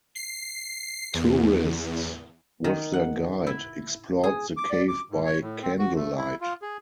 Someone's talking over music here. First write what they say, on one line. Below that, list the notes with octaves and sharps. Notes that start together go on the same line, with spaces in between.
Tourists, with their guide, explored the cave by candlelight.
C7
E2
D#3
F#5
E4
G#4
D6
D5
D6
G#2
C#5
A2
C4
F#4
A3
E4
F4
G#4